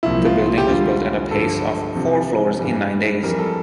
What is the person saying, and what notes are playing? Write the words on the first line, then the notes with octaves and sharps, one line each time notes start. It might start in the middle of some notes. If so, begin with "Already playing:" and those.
The building was built at a pace of four floors in nine days.
C2 A#2 F3 E4
F4
F4
G4
E2 D3 G3 F4
G2 D3 F3 A4
F2 C3 F3
G2 E3 G3
F2 E3 G3 A#4
A4